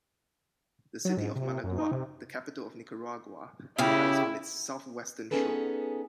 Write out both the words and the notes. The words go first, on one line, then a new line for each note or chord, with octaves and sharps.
The city of Managua, the capital of Nicaragua, lies on its southwestern shore.
F#3
G#2
C3
F#2
D#4
C3
C#3 C#4 E4 G4
B3 C#4 D#4 G#4 A4 B4